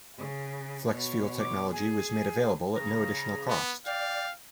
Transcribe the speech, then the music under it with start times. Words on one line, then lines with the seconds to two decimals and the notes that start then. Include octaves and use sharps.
Flex-fuel technology was made available at no additional cost.
0.18 C#3
0.90 B2 C#5
1.40 D6
1.73 G#4 G#5
2.76 C#3 A#5
3.49 B3
3.86 D5 F5 G5